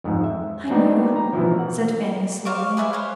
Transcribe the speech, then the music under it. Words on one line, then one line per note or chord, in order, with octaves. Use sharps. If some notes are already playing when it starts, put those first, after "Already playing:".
"I know," said Fanny slowly.
F2 G#2
E5
C4 D4 D#4 F#4 B4 D5
A#5
B2 E3 F3
F#5
C5 F5 C#6 D6
G#4 B4 E5 G#5
C5 C#5 F5